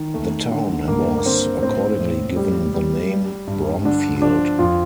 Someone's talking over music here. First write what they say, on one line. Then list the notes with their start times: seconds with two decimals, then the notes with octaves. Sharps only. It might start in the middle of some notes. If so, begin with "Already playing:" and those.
The town was accordingly given the name "Bromfield".
Already playing: D#3
0.14 A3
0.51 D3
0.88 G2 A#3
1.18 A#3
1.26 D3 C4
1.62 A2 C4
2.00 A2
2.36 G3
2.74 G3
3.11 G3
3.47 G2
3.85 D3 D4
4.22 F3 D4
4.58 F2 F4